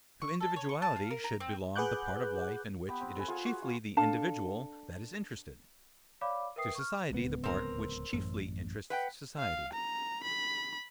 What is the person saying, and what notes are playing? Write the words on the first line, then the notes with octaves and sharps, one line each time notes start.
To individuality should belong the part of life in which it is chiefly the individual that is interested; to society, the part which chiefly interests society.
C#6
A4
C#5
C#6
A5
F5
A#4
A#5
C4
G#4 B4 F#5 D6 F#6 G6
B3 G4 B5
C4
A4 B4 G#5
F4 G#4 F#5 G#5
F#4
F4
D4 A4 F5 A5
C#5 D5 F5 B5 D6
A#4 B4 E5 G5 D#6 C7
C#6 F6
D1 C#2 B3
C4 A#4
A1 F#2
B4 F#5 G5
F5
A#5
B5